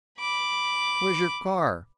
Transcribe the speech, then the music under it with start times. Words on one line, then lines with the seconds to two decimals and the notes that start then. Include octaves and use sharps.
Where's your car?
0.20 B5 D6